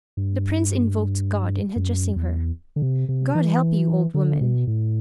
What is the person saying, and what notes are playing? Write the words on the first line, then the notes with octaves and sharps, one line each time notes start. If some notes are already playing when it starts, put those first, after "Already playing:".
The prince invoked God in addressing her: "God help you, old woman!"
G2
F#2
E2
D3
C3
C3
E3
D3
B2
A2